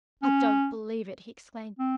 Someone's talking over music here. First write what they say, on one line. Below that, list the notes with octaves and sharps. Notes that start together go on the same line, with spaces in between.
'I don't believe it,' he exclaimed.
C#4
C4